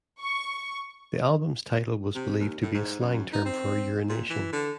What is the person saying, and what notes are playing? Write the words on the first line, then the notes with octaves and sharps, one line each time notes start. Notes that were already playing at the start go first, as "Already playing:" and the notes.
The album's title was believed to be a slang term for urination.
C#6
C3
D#2
A2
G#2
F#2
D#4
C4
A#2
E3
D3